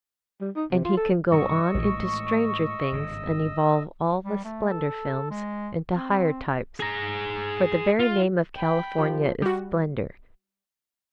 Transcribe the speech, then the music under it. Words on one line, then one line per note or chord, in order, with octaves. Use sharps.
And he can go on into stranger things and evolve all the Splendor Films into higher types, for the very name of California is splendor.
G3
D#4
C3
F4
A4
G2 C3 F#3 D#5 C#6 E6
A#1 A2 E3 G#3
G#1 G2 C#3
G3
A3
A4
G#3
C4
G#4 A#5
F4
G5 B5
F3 G4
G3 F#4